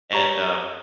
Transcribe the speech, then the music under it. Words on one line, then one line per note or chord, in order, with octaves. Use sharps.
and, um
G4 C#5 A#5 C#6